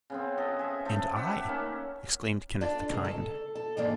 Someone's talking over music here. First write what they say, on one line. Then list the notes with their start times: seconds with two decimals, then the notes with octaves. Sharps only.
"And I," exclaimed Kenneth the Kind.
0.10 C#3 B3 C4
0.37 A4 D#5 F#5
0.59 G#4 E5
0.85 A3 A4 C5
1.16 G4 E5 F#5 B5
1.46 D#3 A#3 C#4
2.61 D4 F4 A4 D5
2.92 C#3 G#3 G#4 A#4
3.05 A4
3.55 A4
3.77 D#2 G#2 E3 G#3 A#3 D4